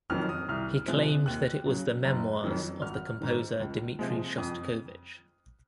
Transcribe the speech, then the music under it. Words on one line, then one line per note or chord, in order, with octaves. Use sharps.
He claimed that it was the memoirs of the composer Dmitri Shostakovich.
F2 D#3 F#3 F6
D#6
C2 F6
C3 F3 G#3 F#6
D#2 F#6
C#3 F#3
F#1
F2 D#3 F#3
G#1 F6
G#2 D#3
C#2
C3 F3 G#3
F2 D#6